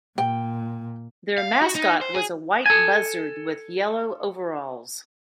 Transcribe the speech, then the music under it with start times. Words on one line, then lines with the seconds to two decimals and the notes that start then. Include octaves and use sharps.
Their mascot was a white buzzard with yellow overalls.
0.18 A#2 G5
1.38 F5
1.61 F#4
1.75 D#4
2.01 C5
2.15 G#4
2.66 A4 G#5